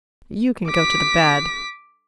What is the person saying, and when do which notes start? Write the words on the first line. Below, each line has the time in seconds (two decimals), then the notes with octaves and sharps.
You can go to the bad.
0.68 D6 B6